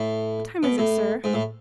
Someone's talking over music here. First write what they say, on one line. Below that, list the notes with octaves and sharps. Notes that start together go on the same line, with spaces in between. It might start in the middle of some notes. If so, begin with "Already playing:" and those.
"What time is it, sir?"
Already playing: A2
B2
A2
G#2
A2